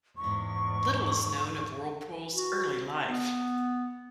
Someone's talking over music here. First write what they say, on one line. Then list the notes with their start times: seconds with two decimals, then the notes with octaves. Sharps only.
Little is known of Whirlpool's early life.
0.18 E2 G#2 C#6
2.34 F#4
3.08 B3